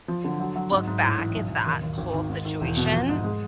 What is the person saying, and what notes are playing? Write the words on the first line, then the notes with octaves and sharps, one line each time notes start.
w look back at that whole situation,
F3
D3
F#3
F#3
G#2
G#2
A2
A1
B1
B1
D#2
D#2
G#1
D#3
G#2
D#3
E1
B2
F3
G#2
G#3